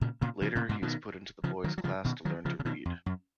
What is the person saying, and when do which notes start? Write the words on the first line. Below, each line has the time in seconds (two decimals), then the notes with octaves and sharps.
Later, he is put into the boys' class to learn to read.
0.01 A#2 C#3
0.21 A#2 C#3
0.42 C#3 F3
0.55 A#2 C#3
0.69 G#2 B2
0.82 B2 D#3
1.44 C#3 F3
1.64 D#3 F#3
1.78 F#3
1.84 C#3 F3
2.05 B2 D#3
2.25 D#3 F#3
2.45 C#3 F3
2.59 C#3
2.65 B2 D#3
2.85 F2
3.06 F#2